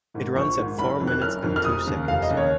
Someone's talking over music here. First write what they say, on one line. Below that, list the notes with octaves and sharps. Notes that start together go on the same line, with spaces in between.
It runs at four minutes and two seconds.
G#2 D#3
A#1 C#6
G#2 D#3
F#1 B5
F2 D#3
F#6
F#1 F6
F2 D#3
F6
F1 D#6
D#2 C#3
F1 F5
D#5
D#2 C#3
C#5